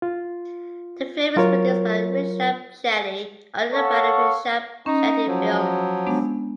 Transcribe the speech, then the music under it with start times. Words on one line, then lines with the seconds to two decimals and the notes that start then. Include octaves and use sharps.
The film is produced by Rishab Shetty under the banner Rishab Shetty Films.
0.02 F4
1.36 F#3 F4 A#4 C#5
3.74 A4 C#5 F5 F#5 C#6
4.86 C#4 D#4
5.28 F3 F#3
6.06 G#3 B3 D4